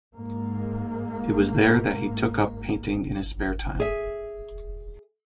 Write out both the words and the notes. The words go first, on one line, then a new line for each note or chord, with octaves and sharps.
It was there that he took up painting in his spare time.
G#2 A#3
G#4 E5